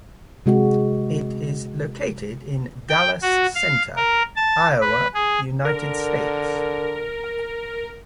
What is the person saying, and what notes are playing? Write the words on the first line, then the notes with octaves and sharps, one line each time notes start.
It is located in Dallas Center, Iowa, United States.
C3 G#3 F#4
G5
F#4
F5
A#4
A5
B4
G#4
D3 A#4